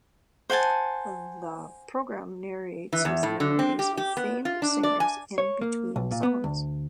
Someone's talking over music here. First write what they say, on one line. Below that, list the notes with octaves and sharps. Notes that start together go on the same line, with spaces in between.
The program narrates his memories of famed singers in between songs.
C5 F#5 G#5 A5
E3
E2
A2
D3
C4
G4
G4
B3
F4
D4
D5
G#5
C#5
A#3
B1
A#2
B3
D2